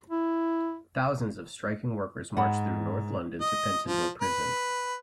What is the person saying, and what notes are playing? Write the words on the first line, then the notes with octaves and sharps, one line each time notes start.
Thousands of striking workers marched through North London to Pentonville Prison.
E4
G#2 F#5 B5
D#5
F3
B4